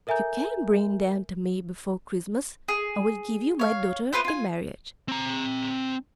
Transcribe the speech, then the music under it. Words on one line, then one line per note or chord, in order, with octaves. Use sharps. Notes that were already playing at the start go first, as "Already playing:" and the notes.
If you can bring them to me before Christmas I will give you my daughter in marriage.'
A4 A#4 E5 G#5 A#5 G6
G#4
C#5 F5
B3 F4 B4 C5
F4 G#5
C4 A#5